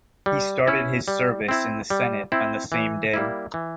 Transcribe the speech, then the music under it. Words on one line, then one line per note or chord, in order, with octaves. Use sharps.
He started his service in the Senate on the same day.
G3
C#4 E4
G3
C4 E4
G3
C4 E4
E3
G3 A#3 E4
E3